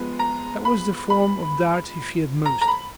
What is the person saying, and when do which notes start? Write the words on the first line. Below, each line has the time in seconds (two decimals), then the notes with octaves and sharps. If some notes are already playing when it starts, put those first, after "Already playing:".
That was the form of doubt he feared most.
Already playing: F3 G#3 B3
0.19 A#5
0.65 B5
1.10 B5
2.46 A#5
2.61 A#5
2.68 B5